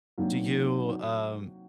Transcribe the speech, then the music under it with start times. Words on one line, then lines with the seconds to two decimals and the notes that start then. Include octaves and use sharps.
Do you, um,
0.18 C3 D#3 F#3 A#3 D4
0.89 F#4